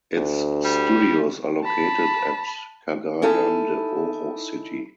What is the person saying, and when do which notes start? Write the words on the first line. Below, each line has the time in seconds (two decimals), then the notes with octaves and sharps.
Its studios are located at Cagayan de Oro City.
0.16 D2
0.65 G3
1.64 A5 B5
3.22 C#4 D#4 E4 A4